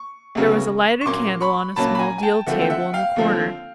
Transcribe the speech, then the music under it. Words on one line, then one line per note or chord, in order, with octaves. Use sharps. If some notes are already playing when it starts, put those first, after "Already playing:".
There was a lighted candle on a small deal table in the corner.
Already playing: C#6
D2 C#3 F#3 B3
C#6
A#2 F#3 A#3 C#4 C6 D6
B5 C#6
A#2 F#3 A#3 C#4 A5 B5
B5
G#5 A#5
G#5
G5 A5
D#2 D3 F3 A3 C4 E5 F#5
G5
E5 F#5
F5 G5
D#2 D3 F3 A3 C4